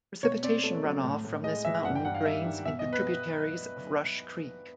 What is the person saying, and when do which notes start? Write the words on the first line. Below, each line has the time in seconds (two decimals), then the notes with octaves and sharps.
Precipitation runoff from this mountain drains into tributaries of Rush Creek.
0.23 B2 C#5
0.43 C4 D5
0.63 A3
0.84 F#3
1.03 A2
1.25 A2
1.44 G#3 D#5
1.65 E3 E5
1.85 G2 F#5
1.95 G5
2.05 G2 F#5
2.15 F5
2.25 G3 E5
2.46 D#3
2.65 B2 E5
2.79 D#5
2.85 B2
2.93 B4
3.06 B3